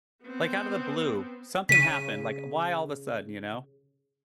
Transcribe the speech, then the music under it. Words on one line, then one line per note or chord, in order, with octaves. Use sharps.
Like, out of the blue, something happened. Like, why all of a sudden, you know?
B3 C4
C#3 B6 D#7